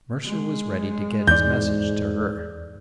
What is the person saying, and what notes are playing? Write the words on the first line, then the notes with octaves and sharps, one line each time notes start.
Mercer was ready to get his message to her.
G#3
E2 G#2 D5 G6